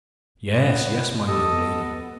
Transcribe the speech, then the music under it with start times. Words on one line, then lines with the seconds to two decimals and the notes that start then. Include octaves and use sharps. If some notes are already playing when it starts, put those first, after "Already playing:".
Yes--yes, my young lady!
0.59 B3 F#6
1.28 G4 A4 D#5 D#6
1.53 B3